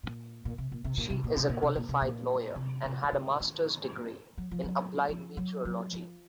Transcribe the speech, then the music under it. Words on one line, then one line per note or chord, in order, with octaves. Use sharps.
She is a qualified lawyer and had a master's degree in Applied Meteorology.
A#2
A#2
C3
A#2
C3
A#2
C3
A#2
C3
A#2
C3
A#2
C3
A#2
C3
C3
D#3
C#3
D#3
F#3
F3
F#3
F3
F#3
F#3
F3